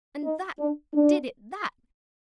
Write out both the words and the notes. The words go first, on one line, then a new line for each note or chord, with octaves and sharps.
And THAT did it--that!
D#4
D4
D4